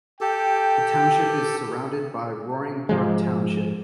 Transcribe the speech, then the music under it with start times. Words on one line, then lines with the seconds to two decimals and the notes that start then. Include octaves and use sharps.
The township is surrounded by Roaring Brook Township.
0.21 G4 A4 G5
2.89 G#2 F3 G#3